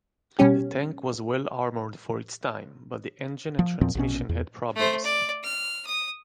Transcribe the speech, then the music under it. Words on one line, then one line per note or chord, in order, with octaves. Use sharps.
The tank was well-armoured for its time, but the engine and transmission had problems.
B2 G3 C#4 G4
F3
E2 A#2 F3 C4
A#1 B2 C#4
E2
A3 C5
D5
F6
D#6